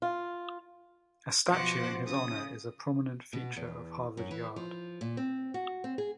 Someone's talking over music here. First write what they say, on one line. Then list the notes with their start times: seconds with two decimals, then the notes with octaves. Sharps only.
A statue in his honor is a prominent feature of Harvard Yard.
0.02 F4
1.51 B2 F3 F#4 C5 F#5 D6
2.05 C#3 D#6
3.33 B2
3.56 E2
4.17 F#2
4.31 E3
4.56 F3
5.01 A#2
5.17 C4
5.54 F#4
5.84 C4
5.98 G#4